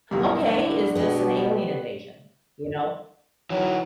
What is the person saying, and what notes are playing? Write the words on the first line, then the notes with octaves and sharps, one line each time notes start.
"Okay, is this an alien invasion?" You know
B1 G2 E3 G#3 A#4
E3 D4
B2 B3 G4
E3 F#3 D#4